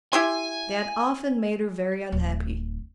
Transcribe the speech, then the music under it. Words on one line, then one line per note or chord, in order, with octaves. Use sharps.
They had often made her very unhappy.
E4 G4 G#5 C6
D1